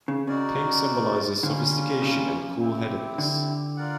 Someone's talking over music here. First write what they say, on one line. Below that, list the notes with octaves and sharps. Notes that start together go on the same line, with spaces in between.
Pink symbolizes sophistication, and cool-headedness.
C#3
C#3 D#4 F#4 A#4 D5
D3 G3 A#3 C#4 F4
C#3
C4 E4 G4
D3
F4 A#4 D5 F#5